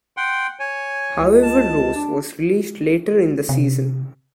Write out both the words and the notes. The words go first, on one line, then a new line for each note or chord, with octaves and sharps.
However Rose was released later in the season.
F#5 G5 C6
C#5 G#5
C#2
A5
D4
C3